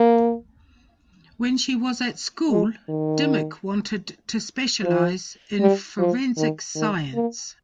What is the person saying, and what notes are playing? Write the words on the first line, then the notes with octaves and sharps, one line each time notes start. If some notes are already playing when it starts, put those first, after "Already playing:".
When she was at school Dimmock wanted to specialise in forensic science.
Already playing: A#3
G#3
D#3
F3
G3
F3
D#3
D#3
A#3